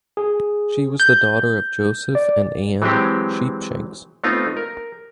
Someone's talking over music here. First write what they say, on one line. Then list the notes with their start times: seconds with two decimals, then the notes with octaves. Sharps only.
She was the daughter of Joseph and Ann Sheepshanks.
0.17 G#4
1.00 G6
2.15 D5
2.82 E3 F#3 G#3 C4 G4
4.24 A3 B3 C4 D#4 F4
4.57 A#4